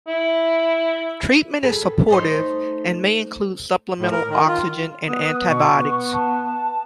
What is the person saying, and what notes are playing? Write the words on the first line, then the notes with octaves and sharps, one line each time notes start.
Treatment is supportive and may include supplemental oxygen and antibiotics.
E4
G#4 A4 B4
A3 D#4 C5
A2
A#4
D#3
F4
B3 D#6
B2 C#6
B3
A5